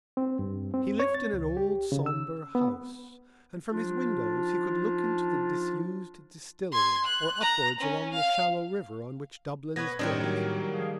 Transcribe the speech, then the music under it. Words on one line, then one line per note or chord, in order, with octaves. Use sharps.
He lived in an old sombre house and from his windows he could look into the disused distillery or upwards along the shallow river on which Dublin is built.
C4
G2
C4
C#5
A6
C#2
G4
C#3
E6
B3
F3 D4 D#4 F4
C6 G#6
F#6
A#5
C#4
F5
B3 C#4 B4 G#6 A#6
A2 D#3 G3 C4 D4 D#4 A#4 C#5
F#3 A#3
F3 G#4 F5